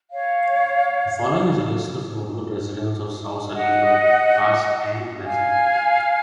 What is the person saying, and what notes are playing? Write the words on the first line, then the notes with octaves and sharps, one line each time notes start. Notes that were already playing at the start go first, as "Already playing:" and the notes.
The following is a list of notable residents of Sausalito, past and present.
C#5 F5
D#5 F#5
F5 G#5